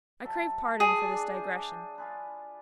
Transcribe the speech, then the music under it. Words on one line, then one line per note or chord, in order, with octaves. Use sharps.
I crave pardon for this digression.
F#3 A4 E5
G#4 D5 G#5 A5
D4
C5
F4 G#4 B4